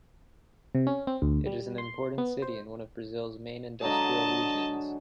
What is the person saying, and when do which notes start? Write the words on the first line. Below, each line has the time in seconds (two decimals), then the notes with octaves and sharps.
It is an important city in one of Brazil's main industrial regions.
0.75 C3
0.87 C#4
1.07 C4
1.22 D2
1.46 G3
1.78 C6
2.18 B3
2.42 C5
3.81 D3 F#3 G#3 D#5 A5